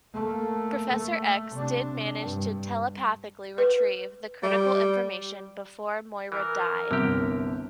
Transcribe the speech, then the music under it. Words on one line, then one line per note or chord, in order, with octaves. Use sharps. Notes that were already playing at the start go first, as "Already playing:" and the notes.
Professor X did manage to telepathically retrieve the critical information before Moira died.
A3 A#3
A3
C3 D4
G2
B4
G3
E3 A#4
G1 C2 D3 G4